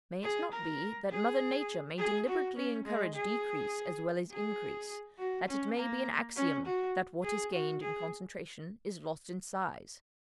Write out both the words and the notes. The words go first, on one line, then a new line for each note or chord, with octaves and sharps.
May it not be that Mother Nature may deliberately encourage decrease as well as increase--that it may be an axiom that what is gained in concentration is lost in size?
G#4
A#4
G#4
G#4
F#4
C#4
G#3
G#4
G#4
F#4
C#4
A#3
C#4
F#4
G#4
F#4
G#4